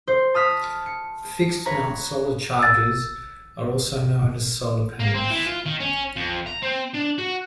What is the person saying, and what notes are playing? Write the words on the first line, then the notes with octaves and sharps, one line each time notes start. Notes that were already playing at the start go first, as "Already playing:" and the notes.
Fixed mount solar chargers are also known as solar panels.
C5
A5 D#6 F6 B6
C#7
B4 C#5 A#5
E6 A6
A#3
C4
E3
F4
D#3
C#4
F2
A#5
C4
D4
F#4